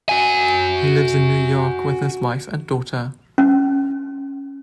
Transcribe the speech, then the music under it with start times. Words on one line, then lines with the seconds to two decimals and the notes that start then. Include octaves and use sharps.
He lives in New York with his wife and daughter.
0.09 F#4 G#5
3.38 C#4